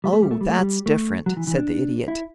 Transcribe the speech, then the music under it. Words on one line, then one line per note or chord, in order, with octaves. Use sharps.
"Oh, that's different," said the Idiot.
G3
A3
G3
A3
G3
A3
G3
A3
F#3
E3
E3
D4
E4